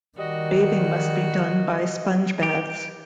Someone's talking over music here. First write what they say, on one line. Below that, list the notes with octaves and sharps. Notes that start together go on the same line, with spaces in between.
Bathing must be done by sponge baths.
D#3 G3 F#4 D#5
G4